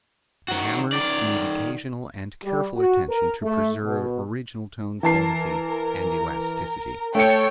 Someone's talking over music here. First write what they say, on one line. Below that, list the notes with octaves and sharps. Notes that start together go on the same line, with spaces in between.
The hammers need occasional and careful attention to preserve original tone quality and elasticity.
D#3 F#4
D#3 D5
G3
F#4
A#4
A3
B2
E3 A#4 A5 C7
A3 A4 C#5 G5 C#7